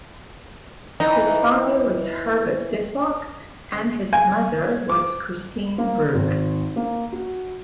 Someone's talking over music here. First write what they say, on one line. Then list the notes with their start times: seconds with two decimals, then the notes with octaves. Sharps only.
His father was Herbert Diplock and his mother was Christine Brooke.
1.00 E3 D#4
4.13 G#5
4.90 D6
5.78 A#3
6.14 G#1
6.76 A#3
7.12 F#4